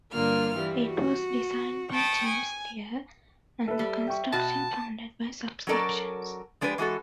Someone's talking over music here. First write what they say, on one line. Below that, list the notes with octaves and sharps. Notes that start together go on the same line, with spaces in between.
It was designed by James Steer, and the construction funded by subscriptions.
G2 D3 A#3 F4 F6
E3 G3
F#4
G5 A5 B5 C#6 D#6
G#5
A4 B4 E5
G3
G5 C#6
B2 F#4 A5
F#3 C#4 F#4 A4 A#4 D5
F3 G#3 D4 G4 B4
E3 G#3 F#4 A4